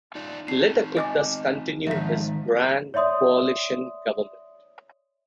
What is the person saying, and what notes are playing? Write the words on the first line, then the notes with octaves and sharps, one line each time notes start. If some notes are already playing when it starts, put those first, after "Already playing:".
Letta could thus continue his Grand coalition government.
D#4 F4 D5
C4 D#4 C7
D#5 G#5 D6
G#2 D#3 F3 E5 B6
C#5 D5 E5 C6 D#6